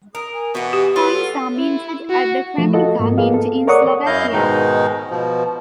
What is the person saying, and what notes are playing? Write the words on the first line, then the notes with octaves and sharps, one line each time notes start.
Coins are minted at the Kremnica mint in Slovakia.
A#4 D#6
G#5
B2 E3 F#5
G4
F#3 F4 B4
A4
E4
F#4
F3 A3
F4 F#4 A4 D#5
G#2 A#3
A#3 B3 G#4 F5
A4
A#4 C#5 D5 F#5 C#6 D#6
F#2 E4 D#5 F5 G6
G#2 B2 D#3 G#3 D#4
B2 F3